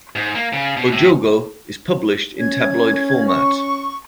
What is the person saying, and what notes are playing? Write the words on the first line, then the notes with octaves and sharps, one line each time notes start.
"O Jogo" is published in tabloid format.
G#2
A#3
C#3
B2
A2
C#4 G#6
C#6